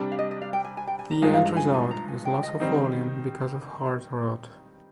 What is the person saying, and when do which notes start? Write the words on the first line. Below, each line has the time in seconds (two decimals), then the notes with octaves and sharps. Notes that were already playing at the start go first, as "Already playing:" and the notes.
The end result is loss of volume because of heart rot.
Already playing: C3 G3 D4
0.12 F5
0.19 D#5
0.31 D#5
0.42 F5
0.53 G5
0.65 G#5
0.77 G#5
0.87 G5
0.99 G#5
1.11 A#5
1.22 G2 F3 G#3 D#4 G#5
1.33 F5
1.45 A#5
1.57 G#5
1.74 G#5
1.91 A#5
2.08 G#5
2.25 G5
2.43 D#5
2.60 D#3 G3 C4 D#4